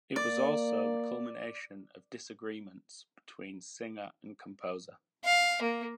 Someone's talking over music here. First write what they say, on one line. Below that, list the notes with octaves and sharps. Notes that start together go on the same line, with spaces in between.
It was also the culmination of disagreements between singer and composer.
A#3 D5
F5
A#3